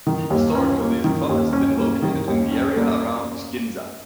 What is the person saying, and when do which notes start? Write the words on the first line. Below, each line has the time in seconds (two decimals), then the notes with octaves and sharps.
Historically, the club has been located in the area around Ginza.
0.07 D#3
0.30 D#2
0.55 C#4
0.80 A#3
1.04 D#3
1.29 D#2
1.53 C#4
1.77 A#3
2.02 D#3
2.28 D#2
2.51 C#4
2.76 A#3